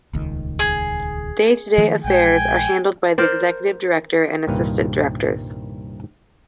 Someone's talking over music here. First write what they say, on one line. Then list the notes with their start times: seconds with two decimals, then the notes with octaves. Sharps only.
Day-to-day affairs are handled by the Executive Director and Assistant Directors.
0.13 D#1 C#2 D#3
0.59 G#4
1.78 D#3 F3 A3
2.04 A#1 G#3 G5 G#5
3.18 A#4 C5 D5
4.47 C2 G2 A#2 D#3 B4 F5